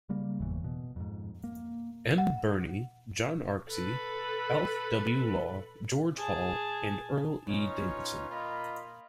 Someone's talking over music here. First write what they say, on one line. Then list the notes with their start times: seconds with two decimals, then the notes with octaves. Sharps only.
M. Birnie, John Arksey, Alf W. Law, George Hall and Earl E. Davidson.
0.09 C#3 G3 A#3
0.39 F#1 E2 A2 E3
0.64 B2
0.96 F2 G#2
1.44 A#3
2.18 F#5
3.70 A4 B4
6.16 G#4 A5
7.46 C#4 D#4 F4 B4 C#5
8.29 A#3 F4 D#5 B5